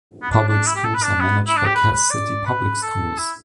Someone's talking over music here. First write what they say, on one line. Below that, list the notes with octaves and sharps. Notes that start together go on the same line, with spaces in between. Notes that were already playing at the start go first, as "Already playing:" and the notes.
Public schools are managed by Cass City Public Schools.
B3
D4
D4
E4
G4
A4
B4
D4
B3
E4
D4
G4
B4
B4
D5
B4
A4
E4